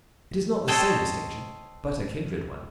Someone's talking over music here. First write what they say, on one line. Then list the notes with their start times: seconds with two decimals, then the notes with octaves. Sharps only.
It is not the same distinction, but a kindred one.
0.68 A4 C5 C#5 D#5 G5